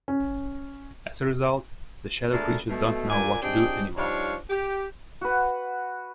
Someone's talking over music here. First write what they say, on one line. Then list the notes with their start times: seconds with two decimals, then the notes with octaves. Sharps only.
As a result, the shadow creatures don't know what to do anymore.
0.08 C#4
2.33 G#3 A3 B3 D4 A4 A#4
2.69 B2 A3
3.10 F#2 F4 D5 G#5
3.42 C4 D4 D#4 G4 G#4 G5
3.97 F3 G3 D4 D#4 C#5 F5
4.50 G4
5.21 F#4 B4